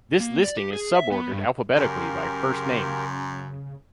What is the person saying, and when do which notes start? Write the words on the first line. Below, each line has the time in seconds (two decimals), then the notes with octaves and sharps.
This listing is subordered alphabetically by first name.
0.20 A#3
0.44 D5
0.57 G4
0.73 G#4
0.95 E5
1.12 B3
1.32 G2
1.76 F#2 C#3 G4 A#4 F5 G#5 C6